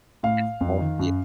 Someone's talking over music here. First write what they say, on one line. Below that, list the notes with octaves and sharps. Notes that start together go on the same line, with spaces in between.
It's healthy,
A2 F5
F2
D#3
F#2